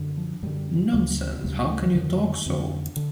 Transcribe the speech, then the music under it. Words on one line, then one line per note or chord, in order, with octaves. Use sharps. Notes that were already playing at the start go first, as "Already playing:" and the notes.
Nonsense, how can you talk so!
Already playing: F#2 D3
F3
F#2 D3 G3
D2 C#3
D2 C#3 G3
G3
A3
E3
F2 D3 D#3
F2 D3
D3